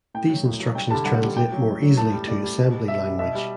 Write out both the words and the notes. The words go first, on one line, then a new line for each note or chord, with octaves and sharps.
These instructions translate more easily to assembly language.
A2 G5
F#3
A2
F#3
G2 G5
D3 G3 A5
G2 F#5
D3 G3
A2 G5
F#3
A2
F#3
A2 A5
G3
A2 D5
G3
B2
G3
B2 E5
G3
B2 E5
G3